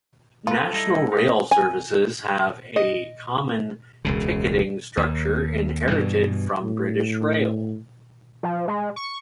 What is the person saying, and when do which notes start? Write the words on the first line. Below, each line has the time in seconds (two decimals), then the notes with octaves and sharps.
National Rail services have a common ticketing structure inherited from British Rail.
0.47 B3 F4 A4 B4
0.73 G3 D#4 E4
1.12 A#3 D#4 G4
1.51 G#5
2.76 D#5
4.05 E1 C#2 C#3
4.97 D#2
5.89 G2 B2 E3
6.63 A2
8.43 F3
8.68 G#3
8.96 C#6